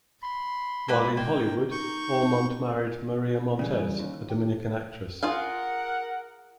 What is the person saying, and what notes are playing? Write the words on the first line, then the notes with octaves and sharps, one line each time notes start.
While in Hollywood, Aumont married Maria Montez, a Dominican actress.
B5 C6
G#3 A#3 B4 F#5
A#3 G5
D#4 C#6 G6
C#3 E3 G3 G#4
D#2
G4
F4 G#4 A#4 F5 F#5